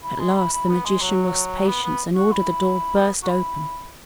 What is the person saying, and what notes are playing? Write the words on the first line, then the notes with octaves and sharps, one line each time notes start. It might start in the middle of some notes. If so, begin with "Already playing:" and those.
At last the magician lost patience and ordered the door burst open.
E4
G#3
E4
E4
B3
G#3
F#3
B3
B3
F#4
E4
B3
F#4
E4